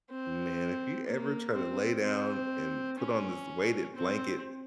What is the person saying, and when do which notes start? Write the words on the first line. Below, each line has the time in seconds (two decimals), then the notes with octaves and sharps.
man, if you ever try to lay down and put on this weighted blanket,
0.10 C4
1.07 A#3
1.55 C4
2.03 C4
2.99 C#4
3.96 C4